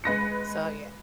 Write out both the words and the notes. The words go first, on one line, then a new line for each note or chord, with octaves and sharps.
so yeah.
G#3 B4 A#6 C#7